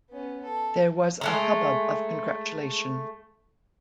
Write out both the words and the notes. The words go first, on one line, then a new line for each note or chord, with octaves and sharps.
There was a hubbub of congratulation.
B3 C#4
A4
G#3 A3 A#5